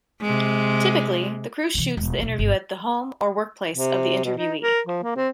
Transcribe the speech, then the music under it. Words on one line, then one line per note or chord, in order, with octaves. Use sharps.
Typically the crew shoots the interview at the home or workplace of the interviewee.
C3 G#3
C3 E3
E1
D#1 B1
G1
C3
B2
D#4
A#4
F3
A#3
C4